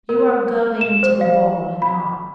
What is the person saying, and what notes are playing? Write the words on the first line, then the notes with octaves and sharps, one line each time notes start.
You are going to the ball anon. . . .
A#4
E7
C5
F5
B5